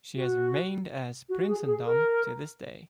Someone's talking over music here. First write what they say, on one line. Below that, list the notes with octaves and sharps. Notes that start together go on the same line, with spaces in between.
She has remained as "Prinsendam" to this day.
F#4
F#4
G#4
G#4
A#4